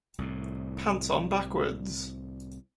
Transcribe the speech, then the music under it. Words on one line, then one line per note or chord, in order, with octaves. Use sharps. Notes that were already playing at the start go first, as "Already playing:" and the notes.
Pants on backwards!
C2 A2